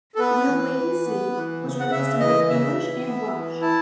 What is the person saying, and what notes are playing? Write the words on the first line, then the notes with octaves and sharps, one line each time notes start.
We'll Wait and See was released in both English and Welsh.
A4
B3 B4
E3
E3
B3
E3
C#3
F#5
C#3 E5
E3 D#5
C#3 E5
E3
B3
E3
E4 A5